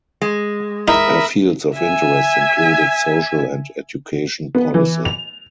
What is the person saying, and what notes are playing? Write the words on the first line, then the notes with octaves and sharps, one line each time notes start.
Her fields of interest included social and education policy.
G#3
D#4 A#4 E5 B5 D#6
E5 G#5
B3
E3
F7